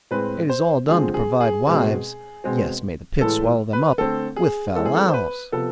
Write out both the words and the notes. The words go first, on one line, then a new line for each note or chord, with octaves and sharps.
It is all done to provide wives--yes, may the pit swallow them up!--with fal-lals.
A2 G#3 C4 B4
C5
D3 F3 G#3 C4 G#4
G#4
G#4
B2 G#3 C4
B2 G#3 C4
A2 E3 G#3 A4
B4
D3 A3 C4 A4
G#4
E3 G#3 C4 A4
G#4
A4
C5
B4
C3 F3 B3 A4